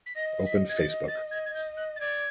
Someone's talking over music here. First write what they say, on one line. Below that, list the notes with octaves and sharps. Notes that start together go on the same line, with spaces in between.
Open Facebook.
B6
D#5 A#6
B6
G#6
A6
A6
G#6
G#6
G6
F#6
A6
D5 G#6